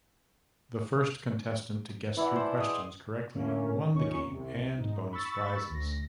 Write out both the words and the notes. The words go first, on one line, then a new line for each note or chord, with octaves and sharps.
The first contestant to guess three questions correctly won the game and bonus prizes.
E3 E4 D5 F#5
C5 A5
G#4 D#5
A2 D3 A3 A#3 C#4
D#2 A#2 C#4 D#4 C#6
C2 C3
G#2 D#4
B5 C#6 E6 A6
D2 A#6